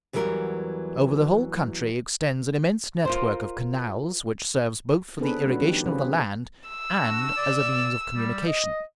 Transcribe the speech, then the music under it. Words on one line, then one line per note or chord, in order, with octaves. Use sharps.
Over the whole country extends an immense network of canals, which serves both for the irrigation of the land and as a means of communication.
E2 E3 F#3 G3 A#4
F4 A#4 C5
B3 C4 D4 G#4 A4 B4
G3 A3 C#4 D4 F#4 B4
D#3 F3 D#4 G4
C3 C4 C#4 F4 G#4 B4
E6
D4 F#4
D5
G3
D#5